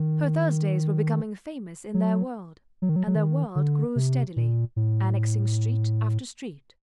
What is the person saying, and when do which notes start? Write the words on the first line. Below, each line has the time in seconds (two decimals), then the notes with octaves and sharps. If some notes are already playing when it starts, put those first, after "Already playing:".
Her Thursdays were becoming famous in their world; and their world grew steadily, annexing street after street.
Already playing: D#3
1.94 F#3
2.82 F#3
2.89 D#3
2.96 F#3
3.07 F#3
3.15 D#3
3.55 D3
3.96 C3
4.36 A#2
4.76 A2